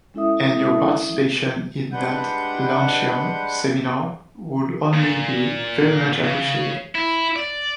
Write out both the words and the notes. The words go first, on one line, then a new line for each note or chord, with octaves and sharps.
And your participation in that luncheon seminar would only be very much appreciated.
G#3 C#4 E4 A4 E5 D#6
G3 G#3 D4 B4 F#5 G6
A#2
C#3
E4
D5